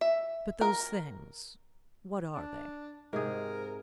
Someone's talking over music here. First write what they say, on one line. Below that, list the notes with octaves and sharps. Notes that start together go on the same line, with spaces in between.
"But those things--what are they?"
E5
A#4
D4
G#2 C3 G#4 A#4